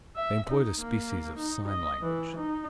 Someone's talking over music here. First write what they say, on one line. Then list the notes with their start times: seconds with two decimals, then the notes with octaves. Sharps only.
They employed a species of sign language.
0.16 E5
0.49 D#4
0.81 A#3
1.38 D#4
1.68 D#5
2.02 E3
2.37 D#4